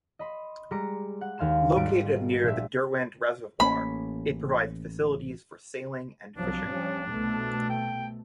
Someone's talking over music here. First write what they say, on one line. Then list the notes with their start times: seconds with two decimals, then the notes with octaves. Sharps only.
Located near the Derwent Reservoir, it provides facilities for sailing and fishing.
0.19 D#5 B5 C6
0.71 G3 G#3 A#5 D6 C#7
1.21 F#5
1.38 D#2 F5 G#5 C6 E7
1.76 G#1 G3 G#3 D7
2.43 A#1 G4 E5
3.60 A1 A#3 C#4 B5
6.36 C2 F3 F#3 D4
6.66 F3 G3 C#4
7.07 C2 B2 A3
7.70 G5